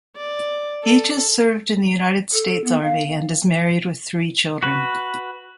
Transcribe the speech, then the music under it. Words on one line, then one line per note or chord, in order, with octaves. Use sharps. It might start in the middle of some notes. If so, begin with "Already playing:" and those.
Each has served in the United States Army and is married with three children.
D5
A4
A4
B3
F5
F#4 B4